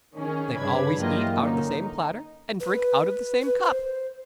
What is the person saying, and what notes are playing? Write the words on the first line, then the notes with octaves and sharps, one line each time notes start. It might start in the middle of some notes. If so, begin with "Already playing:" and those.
They always eat out of the same platter, and drink out of the same cup.
D#3 C#4 G#4
G2 C#3 D4 B4 B5 G#6
E3 F#3 A#3 F4 G4 D#5
D3 A#3 C#4 D#4
D#4
B4
B4
C5